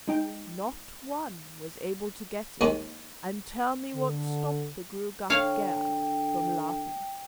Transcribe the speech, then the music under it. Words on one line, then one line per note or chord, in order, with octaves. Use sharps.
Not one was able to get it and tell me what stopped the Gruagach Gaire from laughing.
G#3 D#4 G5
D#2 D#3 G#3
D3
D3 C#5 F5 G5